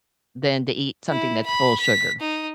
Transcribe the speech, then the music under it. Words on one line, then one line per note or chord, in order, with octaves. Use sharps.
than to eat something that's full of sugar.
E4
B5
B6
D#4